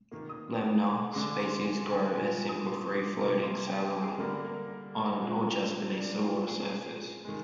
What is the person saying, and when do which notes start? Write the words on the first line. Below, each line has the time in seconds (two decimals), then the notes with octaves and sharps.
"Lemna" species grow as simple free-floating thalli on or just beneath the water surface.
0.11 D#3 A#3
0.29 D#6
1.13 D3 G#3 D6
1.40 C6
1.65 G#5
1.90 G#5
2.15 A#2 G#3 G#5
2.49 D#6
2.58 D6
2.66 C6
2.91 D6
3.16 C3 F3 A#3 D6
3.43 C6
3.61 G#5
3.67 G5
3.85 G5
4.02 G#4
4.18 D3 G3 A#3 A#4
4.45 A#4
5.20 A#2 G#3
5.71 C5
5.97 D5
6.22 A#2 F3 A#3 C5
6.47 G#4
7.25 D#3 G#3